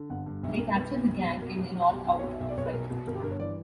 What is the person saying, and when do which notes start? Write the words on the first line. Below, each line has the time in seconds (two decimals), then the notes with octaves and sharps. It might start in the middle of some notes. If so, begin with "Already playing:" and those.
They capture the gang in an all-out fight.
Already playing: D3
0.10 G1 F#5
0.26 G2
0.43 B1 E5
0.59 B1 A#4
0.76 B1 B4
0.92 B1
1.08 B1
1.25 B2
1.42 B2 A#4
1.58 B2 G4
1.75 B2 F#4
1.91 B1 G4
2.07 B1
2.19 C#5
2.24 B2
2.30 E5
2.40 B1 E5
2.49 D5
2.57 B1 C#5
2.66 B4
2.73 B2 A#4
2.91 B2
3.07 G1 A#4
3.14 G4
3.23 G2 A#4
3.31 C#5
3.39 E3 D5